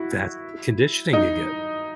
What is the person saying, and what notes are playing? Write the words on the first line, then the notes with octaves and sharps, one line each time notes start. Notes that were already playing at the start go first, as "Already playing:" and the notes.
that's the conditioning you get.
Already playing: E4 F#4
D#4